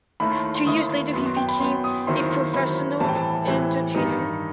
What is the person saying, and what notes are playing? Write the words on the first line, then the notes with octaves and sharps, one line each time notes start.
Two years later he became a professional entertainer.
D#2 D#3 A3 E4 B5
C6
C6
D#2 D#3 A3 E4 D#6
F#2 F#3 B3 C6
C6
G5
B5
F#2 F#3 B3 C6
D#6
D#2 D#3 F#3 C4 E4 C6
C6
D#2 D#3 F#3 C4 E4 B5
A2 E3 G3 C4 A5
G5
A5
A2 E3 G3 C4
G2 D#3 G3 D#4